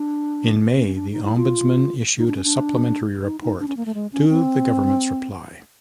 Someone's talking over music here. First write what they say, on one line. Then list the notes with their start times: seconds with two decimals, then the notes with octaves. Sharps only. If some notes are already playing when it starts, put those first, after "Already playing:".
In May, the Ombudsman issued a supplementary report to the government's reply.
Already playing: D4
0.77 C#4
0.87 C#4
0.95 D4
1.13 D#4
1.24 E4
1.36 F4
2.18 D#4
2.28 D4
2.36 C#4
2.44 D4
3.24 D#4
3.41 D#4
3.60 D4
3.68 C#4
3.77 A#3
3.86 A3
3.95 G#3
4.13 C#4
4.29 C4